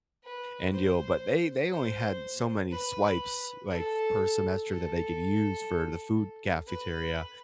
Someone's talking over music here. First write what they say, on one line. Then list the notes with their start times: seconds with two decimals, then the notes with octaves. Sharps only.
and you'll but they they only had so many swipes like per semester that they could use for the food cafeteria.
0.23 B4
0.72 C5
1.72 C5
2.71 B4
3.70 A4
4.69 A4
6.66 B4